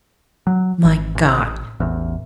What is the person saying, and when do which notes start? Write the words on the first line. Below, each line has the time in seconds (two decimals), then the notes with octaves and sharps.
My God!
0.47 F#3
0.84 G#1
1.15 A1
1.80 A1 E2